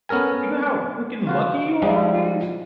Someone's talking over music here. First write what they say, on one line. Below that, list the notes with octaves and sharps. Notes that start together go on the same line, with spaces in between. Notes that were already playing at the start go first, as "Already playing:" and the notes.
You know how freaking lucky you are, man?
B3 C#4 A4 A#4 G#5
F4 F#4 C5
F3 G3 G#3 D4 D#4